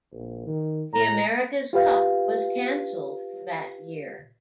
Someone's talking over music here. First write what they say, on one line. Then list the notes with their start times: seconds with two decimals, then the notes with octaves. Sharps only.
The America's Cup was cancelled for that year.
0.13 A#1
0.47 D#3
0.93 A2 A#5
1.73 F4 G4 B4 F5